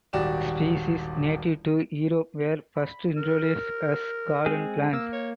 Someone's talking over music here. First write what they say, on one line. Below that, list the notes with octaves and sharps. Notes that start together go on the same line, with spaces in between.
Species native to Europe were first introduced as garden plants.
D#1 G#1 F#4 G4 D5 E7
B5
A#4
G#3 C4 G#4
A#3 E6
C#5